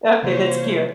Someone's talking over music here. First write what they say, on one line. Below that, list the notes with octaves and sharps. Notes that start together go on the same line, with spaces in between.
Okay. That's cute.
C3 E3 A#3 F4 C5 C#5